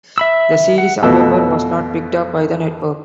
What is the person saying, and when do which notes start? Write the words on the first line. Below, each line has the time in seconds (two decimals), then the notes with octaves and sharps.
The series, however, was not picked up by the network.
0.18 E5 B5 E6
0.78 F#5
1.03 F2 B2 A3 E6